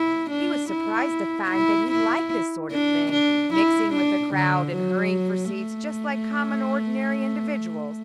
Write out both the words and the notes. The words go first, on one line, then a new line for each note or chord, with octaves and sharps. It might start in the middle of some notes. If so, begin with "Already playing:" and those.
He was surprised to find that he liked this sort of thing, mixing with a crowd and hurrying for seats just like common ordinary individuals.
Already playing: E4
D4
E4
E4
E4
D4
D4
E4
D4
D3
F#3
A3